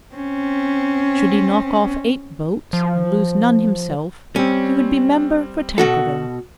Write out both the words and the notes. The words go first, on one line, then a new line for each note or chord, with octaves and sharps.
Should he knock off eight votes and lose none himself, he would be member for Tankerville.
C4 C#4
F3
G3 C4 C#4
B2 F#4 A4